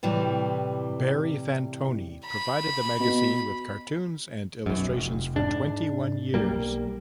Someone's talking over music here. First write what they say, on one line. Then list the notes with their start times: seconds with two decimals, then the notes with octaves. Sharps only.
Barry Fantoni provided the magazine with cartoons and illustrations for twenty-one years.
0.03 A2 C3 E3 G3
2.26 B5
3.00 B2
4.66 B1 F#2
4.90 F1
5.36 G#2 D4
6.34 B1 G3 A#3